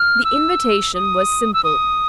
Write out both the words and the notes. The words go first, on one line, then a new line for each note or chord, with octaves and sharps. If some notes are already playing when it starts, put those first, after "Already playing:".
The invitation was simple.
Already playing: F6
E6
D#6
E6
D#6